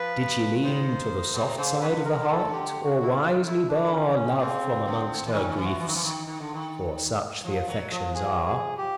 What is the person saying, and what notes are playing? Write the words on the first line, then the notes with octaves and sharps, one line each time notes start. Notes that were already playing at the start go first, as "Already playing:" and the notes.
Did she lean To the soft side of the heart, or wisely bar Love from amongst her griefs?--for such the affections are.
Already playing: F3 B4
D#3 C5
B2
C3
C#3 C5
C#3 B4
D3
A#4
D3
D#3 A4
D3
G4
F#4
E4
F4
E4
D4
C#4
C#4
C3
C#3 C4
D3
E3
D#3 C#4
D#3
E3
F#4
E3
D#3
E3
D#3
D#3
D3
D#3
F3
F#3
F3
F3 G#4
G#4
G4